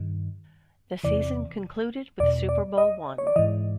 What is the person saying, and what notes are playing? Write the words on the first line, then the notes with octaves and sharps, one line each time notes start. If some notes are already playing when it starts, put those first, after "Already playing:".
The season concluded with Super Bowl One.
Already playing: G2 D#3
E2 C3 E3 D5
E2 B2 D5
D5
D#5
C#5
D5
G#2 E3 D#5